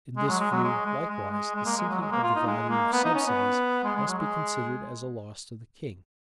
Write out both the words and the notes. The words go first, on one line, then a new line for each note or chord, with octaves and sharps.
In this view, likewise, the sinking of the value of subsidies must be considered as a loss to the king.
G#3
F#3
G#3
F#3
G#3
G#3
G#3
G#3
G#3
A#3
G#3
F#3
G#3
A#3
F4
D#4
G#3
A#3
B3
D#4
C#4
B3
G#3
G#3
F#3
G#3